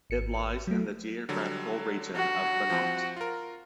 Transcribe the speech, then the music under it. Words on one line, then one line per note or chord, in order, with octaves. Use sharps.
It lies in the geographical region of Banat.
G#1 C#7
F#3 A3
D3 F#3 G3
F#4
F3 C4
F4 A#4